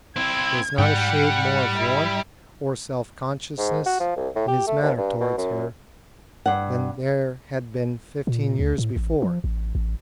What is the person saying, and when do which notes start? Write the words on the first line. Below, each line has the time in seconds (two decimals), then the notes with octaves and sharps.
There was not a shade more of warmth or self-consciousness in his manner towards her than there had been fifteen years before.
0.16 C4 E4 G#6
0.78 G#2 G3 F#5 G5
1.78 E4
3.58 G#2
3.86 F#4
4.00 F3
4.16 C2
4.36 A2
4.48 G4
4.67 A3
4.82 D#2
4.97 G2
5.20 B2
5.37 F#2
6.46 G2 F#5
8.27 A#2
8.59 D2
8.78 A2
8.96 A1
9.22 F3
9.44 A1
9.75 A1